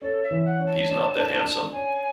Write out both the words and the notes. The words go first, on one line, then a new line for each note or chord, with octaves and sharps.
He's not that handsome.
C#4 A4
E5
E3
F#5
C#4
A5
D4
D4
D4
C#4 G#5